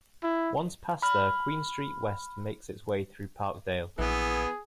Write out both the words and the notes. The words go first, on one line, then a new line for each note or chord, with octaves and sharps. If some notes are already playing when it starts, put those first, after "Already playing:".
Once past there, Queen Street West makes its way through Parkdale.
E4
B5 F6
A#1 E3 B3 G#4